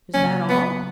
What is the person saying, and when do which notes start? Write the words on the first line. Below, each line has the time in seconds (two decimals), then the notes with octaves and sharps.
"Is that all?"
0.14 C#3 F#3 A#3 C#4
0.49 B3